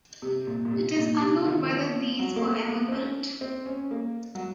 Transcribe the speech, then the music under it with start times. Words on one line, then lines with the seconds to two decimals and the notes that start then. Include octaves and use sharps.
It is unknown whether these were ever built.
0.22 C3
0.47 A#2
0.65 A#2
0.71 C3
0.96 A#2
1.21 C3
1.45 D#3
1.64 D#3
1.70 F3
2.19 F#3
2.36 A#3
2.43 A3
2.68 A#3
2.88 C4
2.92 C#4
3.41 C4
3.66 C#4
3.91 A#3
4.35 F#3